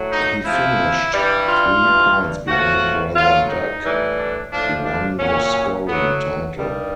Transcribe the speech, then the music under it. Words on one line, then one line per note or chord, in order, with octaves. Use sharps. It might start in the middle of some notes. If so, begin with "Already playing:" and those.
He finished three points behind brother Doug, who won the scoring title.
Already playing: A2 F#3
D#4
C3 F3 E4
G2 E3 G3
F4
G2 E3 G3
A2 F3 F#4
A2 F#3 F4
D#4
A2 E3 G3
D4
A2 F3 D4
D4
A#2 F#3 C#4
A2 F#3 B3
G2 D#3 G3